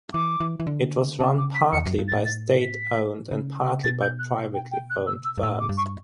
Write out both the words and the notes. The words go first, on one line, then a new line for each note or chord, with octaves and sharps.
It was run partly by state-owned and partly by privately owned firms.
E3 D6
E3
E3
D3
C#3 A5
D6
B6
E2 C#7
F#2
G2
A6
A2
A6
B6
C#3
B2 A6
G6
F#6
G5
G5
F#6
E6
E6
G2
A2 E6
D6
G2
C#6